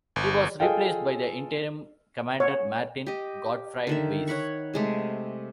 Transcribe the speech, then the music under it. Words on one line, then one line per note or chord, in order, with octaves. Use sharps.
He was replaced by the interim commander Martin Gottfried Weiss.
G1
F4 G#4 A4 D#5 F5 G5
C#5
G4 D#5
D3 D#3 E5
C#5 F#5 B5 C#6
C3 G#3 A3